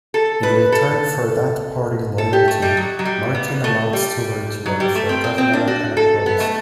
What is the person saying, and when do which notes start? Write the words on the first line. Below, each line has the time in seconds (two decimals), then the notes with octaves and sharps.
In return for that party loyalty, Martin allowed Stuart to run for governor unopposed.
0.14 A4
0.43 B4
0.72 A4
2.18 A4
2.33 G4
2.48 A3
2.62 G3
2.77 F#3
2.99 F#3
3.05 G3
3.35 B3
3.64 A3
3.93 G3
4.66 F#3
4.80 G3
4.95 A3
5.09 C4
5.24 C4
5.38 C4
5.53 D4
5.67 F#4
5.97 A4
6.26 B3
6.40 A3